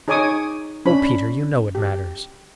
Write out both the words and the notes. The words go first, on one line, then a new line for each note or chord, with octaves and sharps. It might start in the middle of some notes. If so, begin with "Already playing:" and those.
"O Peter, you know it matters."
D#4 G#4 C#5 G#5 D6 D#6
C#4 D4 B5
G4